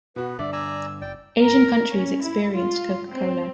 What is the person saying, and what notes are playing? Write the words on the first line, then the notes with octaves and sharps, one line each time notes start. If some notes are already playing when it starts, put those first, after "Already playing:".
Asian countries experienced Coca-Cola.
B2 B3 F#4 B4
G2 D3 D4 D5 E5
D5 G#5 A#5 E6
F#1 D5 G5
A#4
C#4
E4
F4
C4